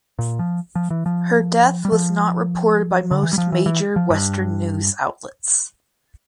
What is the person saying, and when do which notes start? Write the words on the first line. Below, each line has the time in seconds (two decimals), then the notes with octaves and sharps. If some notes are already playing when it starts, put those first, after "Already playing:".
Her death was not reported by most major Western news outlets.
0.19 A#2
0.39 F3
0.75 F3
0.90 E3
1.06 F3
1.85 G3
1.92 F3
3.11 D3
3.23 E3
3.33 G3
3.38 F3
3.52 E3
3.66 E3
3.96 F3
4.10 G2